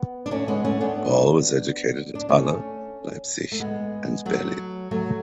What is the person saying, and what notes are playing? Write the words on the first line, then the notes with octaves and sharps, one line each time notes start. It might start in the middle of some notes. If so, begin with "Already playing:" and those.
Paul was educated at Halle, Leipzig, and Berlin.
Already playing: B3
D4
A3 C#4
G#3 B3
A3 C#4
B3 D4
D4
A3 C#4
A3
G#3 B3
F#3 A3
F#3 A3